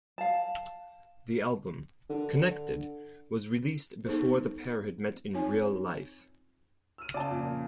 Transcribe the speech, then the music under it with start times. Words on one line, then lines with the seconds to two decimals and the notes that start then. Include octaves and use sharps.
The album, "Connected", was released before the pair had met in real life.
0.18 F5 A5
2.10 D3
4.06 B3 D#4 G#4 A4 C5
5.34 C4 D#4 F4 C#5 G#5
6.98 E6 F6 D#7
7.14 C#3 D5 A5
7.30 F2 A#2